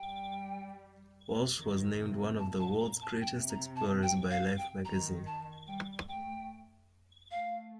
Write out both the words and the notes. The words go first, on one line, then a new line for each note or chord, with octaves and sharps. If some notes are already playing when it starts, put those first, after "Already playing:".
Walsh was named one of the world's great explorers by "Life" magazine.
Already playing: G3 G5
D#3
C3
A#2 A5
A5
A#5
A5
C3 G5
A#5
A5
G5
F5
G5
D#3 A#5
A5
G3 G5
A3 G5
A3 F5